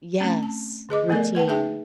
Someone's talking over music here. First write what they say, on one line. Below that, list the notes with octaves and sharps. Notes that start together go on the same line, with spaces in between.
Yes. Routine.
A3 C4 C#4
A5
D3 G#4 D#5 D6
F3 A3 B3 A4 A#4 D5
B4 F#5 G5 A5
A#3 D#4 G#4 E5 G5 A5